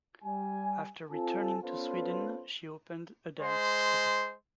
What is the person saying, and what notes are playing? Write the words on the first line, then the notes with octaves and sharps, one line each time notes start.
After returning to Sweden, she opened a dance school.
G3 G#5
C4 F4 A4 G#5 A5
B3 C#4 F4 A4 B4 C5
G#3 C5